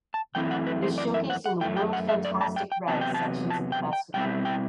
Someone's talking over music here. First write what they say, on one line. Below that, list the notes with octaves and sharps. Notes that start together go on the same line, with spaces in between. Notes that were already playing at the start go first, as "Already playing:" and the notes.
It is showcased in the World Fantastic Red sections of the festival.
A5
F#2 E3 A3 C4 E4 G5
F#5
B4
C5
D5
E5
F#5
F#5
F#2 E3 A3 G5
G5
F#5
E5
D5
A5
G5
G5
E2 C3 F#3 B3 A5
G5
A5
A5
G5
G5
B2 G3 C4 E4 G5
G5